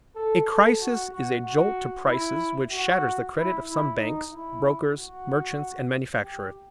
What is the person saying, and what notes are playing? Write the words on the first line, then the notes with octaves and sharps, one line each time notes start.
A crisis is a jolt to prices which shatters the credit of some banks, brokers, merchants, and manufacturers.
A4
A4
F#4
F#4
F#4
E4
F#4
E4
E4
D#4
E4
F#4
G4